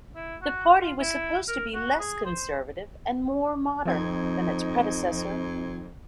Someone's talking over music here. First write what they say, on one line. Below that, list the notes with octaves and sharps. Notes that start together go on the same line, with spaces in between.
The party was supposed to be less conservative and more modern that its predecessor.
E4
F#4
F4
E4
A#4
F#4
G#4
C5
F2 F3 C4 D#4 G#6